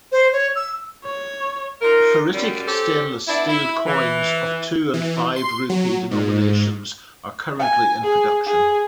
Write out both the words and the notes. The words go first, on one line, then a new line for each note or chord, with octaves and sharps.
Ferritic Stainless Steel coins of Two and Five Rupee denominations are currently in production.
C5
C#5
E6
C#5
D#4 F4 A#4
F#2 G3
C4 C#4 G4 A4
B3 D4 E4
E4
E3
E3
C6
F#3
G#2
G#5
G#4
G#4